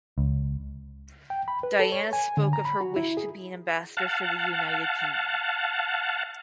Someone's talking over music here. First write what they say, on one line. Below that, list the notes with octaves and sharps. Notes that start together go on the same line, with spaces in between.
Diana spoke of her wish to be an ambassador for the United Kingdom.
C#2
G5
B5
B4
A4
C#5
G#5
D3
A#5
B5
F#4
E4
G#4
F5 F#5 A5